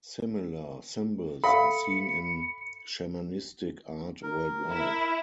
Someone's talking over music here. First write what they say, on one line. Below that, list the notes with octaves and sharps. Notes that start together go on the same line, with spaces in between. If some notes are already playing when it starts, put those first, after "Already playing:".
Similar symbols are seen in shamanistic art worldwide.
A4 E5 F5 B5 C#7
A#4
E4